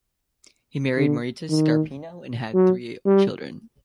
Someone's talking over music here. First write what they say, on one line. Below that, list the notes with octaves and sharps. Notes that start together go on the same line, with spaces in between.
He married Marita Scarpino and had three children.
D3
D#3
F#3
G3